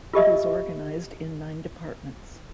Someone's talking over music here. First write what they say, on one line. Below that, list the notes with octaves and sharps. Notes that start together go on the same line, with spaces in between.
It is organised in nine departments.
F4 G4 D#5 E5